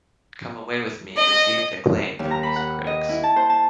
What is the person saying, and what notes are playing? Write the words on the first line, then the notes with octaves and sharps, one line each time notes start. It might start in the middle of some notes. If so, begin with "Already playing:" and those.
"Come Away with Me" received acclaim from music critics.
D#5
D#2
A#5
B5
F#5
D#5
E4
A5
C5
A5